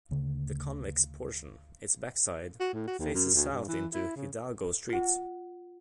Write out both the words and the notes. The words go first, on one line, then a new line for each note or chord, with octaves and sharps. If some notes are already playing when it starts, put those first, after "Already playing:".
The convex portion, its backside, faces south onto Hidalgo Street.
D2 C#3 A3
F#4
A2
F#4
D#2
F#2
D2
G2
E3
E4
C#3
F4 F#5